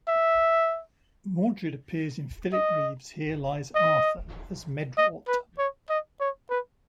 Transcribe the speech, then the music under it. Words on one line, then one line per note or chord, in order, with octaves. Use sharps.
Mordred appears in Philip Reeve's Here Lies Arthur, as Medrawt.
E5
D#5
D#5
D#5
B4
C#5
D#5
C#5
B4